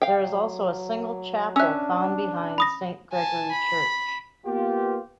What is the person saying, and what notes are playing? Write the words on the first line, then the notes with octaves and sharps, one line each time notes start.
There is also a single chapel found behind Saint Gregory Church.
F5 G5
F#3
C#4 D4 E5 E6 F#6
B5 D#6 A#6
G#5 A5
B5
A#3 B3 F4 G4